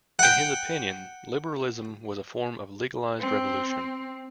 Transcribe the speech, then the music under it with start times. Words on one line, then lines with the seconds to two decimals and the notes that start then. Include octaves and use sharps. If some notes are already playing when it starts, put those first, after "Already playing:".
In his opinion, liberalism was a form of legalized revolution.
0.19 F#5 G5
3.20 C4